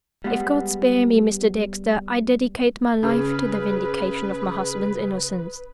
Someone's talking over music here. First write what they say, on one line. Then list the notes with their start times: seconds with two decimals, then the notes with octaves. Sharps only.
If God spare me, Mr. Dexter, I dedicate my life to the vindication of my husband's innocence.
0.24 G3 G#3 B3 F#5
3.03 C#3 B4